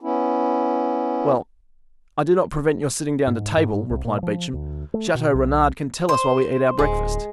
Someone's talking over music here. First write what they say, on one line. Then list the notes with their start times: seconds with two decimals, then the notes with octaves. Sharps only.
"Well, I do not prevent your sitting down to table," replied Beauchamp, "Chateau-Renaud can tell us while we eat our breakfast."
0.01 B3 C#4 E4
3.27 G#2
3.57 G#2
3.90 C2
4.05 A#2
4.23 F3
4.53 D2
4.94 A3
5.15 B2
5.34 B1
6.09 C5
6.79 D1 G#3